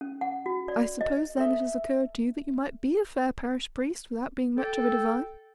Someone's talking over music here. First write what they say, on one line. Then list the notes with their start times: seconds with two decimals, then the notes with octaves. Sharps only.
"I suppose, then, it has occurred to you that you might be a fair parish priest without being much of a divine?"
0.01 C#4
0.21 F#5
0.46 F#4
0.68 D5
1.01 D#5
1.37 A4 D#5 E5
4.57 A4 G5